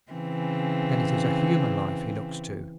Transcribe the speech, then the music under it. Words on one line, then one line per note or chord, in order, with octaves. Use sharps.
Then it is a human life he looks to!
C#3 E3 C4